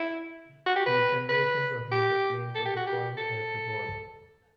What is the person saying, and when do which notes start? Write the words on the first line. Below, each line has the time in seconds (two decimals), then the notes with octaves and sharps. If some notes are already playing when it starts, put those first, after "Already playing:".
Two generations of User plane Protocol have evolved.
Already playing: E4
0.66 F#4
0.76 G4
0.86 B4
1.29 B4
1.92 G4
2.55 A4
2.66 G4
2.76 F#4
2.87 G4
3.18 A4